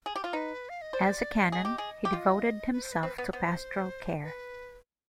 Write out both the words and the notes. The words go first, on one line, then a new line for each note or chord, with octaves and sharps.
As a canon, he devoted himself to pastoral care.
G#4
G4
F4
D#4 B4
F5
D#5
C5 D5
F5
G#4 D#5
G4
G#4
G4
F4 D#5
B4
C5
B4
C4 B4
B3 B4
B3 C5
B4